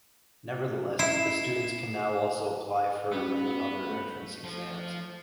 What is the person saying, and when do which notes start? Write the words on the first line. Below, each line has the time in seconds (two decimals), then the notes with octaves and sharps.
Nevertheless, the students can now also apply for many other entrance exams.
0.99 E4 E5 C6 C7 E7
3.12 G3 B3 C#4 F#4 E6
3.89 A3
4.44 F3